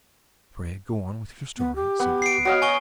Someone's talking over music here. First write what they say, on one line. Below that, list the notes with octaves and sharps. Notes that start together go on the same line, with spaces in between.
"Pray go on with your story," said the King.
B3
G4
B3
C7 D7
F#4 C#5 D#5 F5
G#5 C#6 G7